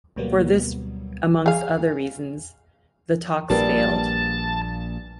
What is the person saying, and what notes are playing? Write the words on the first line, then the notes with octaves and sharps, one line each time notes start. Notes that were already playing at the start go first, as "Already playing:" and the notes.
For this, amongst other reasons, the talks failed.
D2 B2 F#3 G3 A#3 B3
G#4 F5
A#1 G3 A#3 A#4 B4 A5